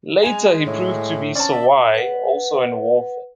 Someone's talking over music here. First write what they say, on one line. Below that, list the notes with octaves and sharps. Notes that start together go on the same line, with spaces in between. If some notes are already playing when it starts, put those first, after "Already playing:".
Later he proved to be "Sawai" also in warfare.
G#3 G#5 F7
A2
C4 C#4 D5 A5
E5
B4 F#5